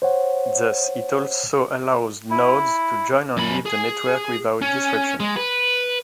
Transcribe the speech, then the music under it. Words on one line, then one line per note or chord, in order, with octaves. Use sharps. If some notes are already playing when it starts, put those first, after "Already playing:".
Thus, it also allows nodes to join and leave the network without disruption.
C5 C#5 F#5
E4
F#2 B5
G#4
C#4
G#3
B4